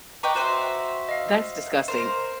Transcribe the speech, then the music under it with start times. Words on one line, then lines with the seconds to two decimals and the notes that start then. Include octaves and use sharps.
That's disgusting.
0.23 B4 D#5 G5 A#5 C#6 D6
0.35 F#4 C5 E5
1.09 D#5 F5
1.88 A#4 C5